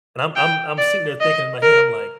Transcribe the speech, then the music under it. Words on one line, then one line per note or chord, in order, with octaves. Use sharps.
and I'm I'm I'm sitting there thinking in my head, I'm like,
G5
D5
D#5
A#4